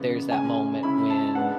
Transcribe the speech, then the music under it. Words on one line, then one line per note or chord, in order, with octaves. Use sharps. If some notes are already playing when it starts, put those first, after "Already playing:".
There's that moment when
Already playing: E2 C#3 E3 G#3 B3
C#3 G#3 C#4 G#5
C#3 G#3 C#4 E4 B5
A5
G#3 B3 D4 F#5